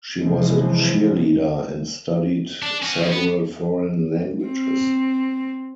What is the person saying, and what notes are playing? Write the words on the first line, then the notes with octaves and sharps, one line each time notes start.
She was a cheerleader and studied several foreign languages.
C3 E3 F3 G#3
D4
C#4 F#4
E2
B3
C4